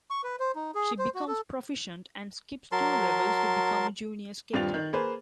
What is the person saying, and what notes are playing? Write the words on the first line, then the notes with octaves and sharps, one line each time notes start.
She becomes proficient and skips two levels to become a junior skater.
C#6
B4
C5
D#4
G#4
C5
F#4
A4
F#3 A#4 A5 C6
D#1 G2 C4 F4 A6 F7
D#3
A#3 G#4 B4 C5